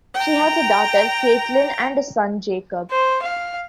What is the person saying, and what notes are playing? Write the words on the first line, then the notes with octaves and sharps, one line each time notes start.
She has a daughter, Katelin, and a son, Jacob.
G5 A#5
C5
F5